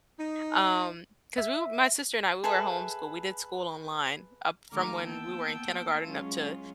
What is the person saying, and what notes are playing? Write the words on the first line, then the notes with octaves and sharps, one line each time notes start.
Um, 'cause we w my sister and I, we were homeschooled, we did school online up from when we were in kindergarten up to,
D#4
E5
G#4 A4 B4 E5
D#3 G#3 A3 A#5 D6 F6
A#3 B3 G5 A5 E6
F#3 G#3 C#4 F4